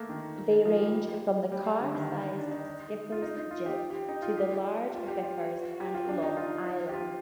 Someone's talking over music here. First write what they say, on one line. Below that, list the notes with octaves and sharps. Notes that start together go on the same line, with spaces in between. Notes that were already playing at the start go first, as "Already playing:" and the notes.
They range from the car-sized Skipper's Jib to the larger Vicar's and Long Islands.
Already playing: A3 A#3
D#3
F3
G3
G3
D3
D#3
D4
D#4
F4
D#4
D#4
F4
G4
G4
D#4
F4
G4
F4
G4
F4
G4
F4
D4
D#4
F4
G4
F4